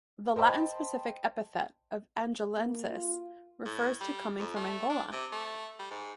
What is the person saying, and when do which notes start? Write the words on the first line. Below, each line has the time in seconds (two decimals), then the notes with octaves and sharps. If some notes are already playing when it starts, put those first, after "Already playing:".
The Latin specific epithet of "angolensis" refers to coming from Angola.
0.36 C5 D#5 G5 A5 B5
2.57 A#3
2.90 F4
3.65 A2
4.01 G3
4.39 F2
4.56 A3
4.89 D4
5.12 C3
5.32 A3
5.79 G3
5.91 G#2